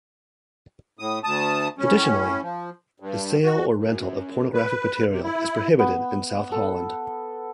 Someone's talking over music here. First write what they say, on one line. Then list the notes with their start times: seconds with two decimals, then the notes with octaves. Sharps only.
Additionally, the sale or rental of pornographic material is prohibited in South Holland.
0.99 A2 D#6
1.24 D2 A5 D#6
1.78 A2 C#4
2.42 F3
3.00 G2
3.43 F#4
3.76 F#2
4.54 B4
5.09 C3
5.24 E4
5.79 B3
6.52 A4